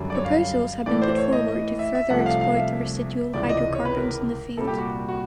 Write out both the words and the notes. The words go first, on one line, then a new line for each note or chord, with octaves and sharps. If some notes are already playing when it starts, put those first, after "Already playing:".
Proposals have been put forward to further exploit the residual hydrocarbons in the field.
Already playing: F#2 D3 G3
D5
C#5
F5
A2 E3 A3 D5
C5
C#5
D#5
D#5
E5
E5
C2 C3 F3 A3 F#5
F5
F5
E5
C#2 C3 E3 G#3 D5
D#5
C#5
B4
A#4
C2 A#2 G3 A4
G4
F#4
F#4